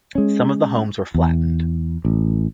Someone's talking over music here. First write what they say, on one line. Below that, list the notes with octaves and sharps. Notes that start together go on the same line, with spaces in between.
Some of the homes were flattened.
G#3 C#4
E2
A1